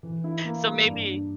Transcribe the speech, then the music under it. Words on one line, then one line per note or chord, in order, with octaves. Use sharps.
So, maybe
E3
E4
A#3
G3
G2
D4